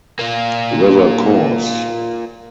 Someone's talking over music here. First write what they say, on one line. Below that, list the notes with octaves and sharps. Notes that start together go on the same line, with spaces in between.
River Course!
A#3 F4